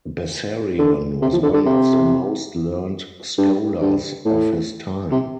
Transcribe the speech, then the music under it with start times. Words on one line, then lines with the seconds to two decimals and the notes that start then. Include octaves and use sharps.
Bessarion was one of the most learned scholars of his time.
0.79 D3
1.22 C3
1.33 F3
1.43 D3
1.54 D3
1.66 C3
3.38 G2
3.81 G2
4.25 A2
5.12 C3